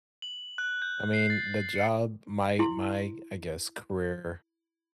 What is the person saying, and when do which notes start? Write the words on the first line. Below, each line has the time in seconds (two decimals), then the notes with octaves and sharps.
I mean, the job my my, I guess, career
0.22 F#7
0.58 F#6
0.82 G6
1.13 C7
1.30 A6
1.76 C#7
2.59 E4 C6